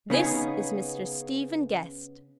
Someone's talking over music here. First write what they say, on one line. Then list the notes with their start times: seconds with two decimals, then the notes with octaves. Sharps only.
"This is Mr. Stephen Guest."
0.10 C#3 B3 D#4 G#4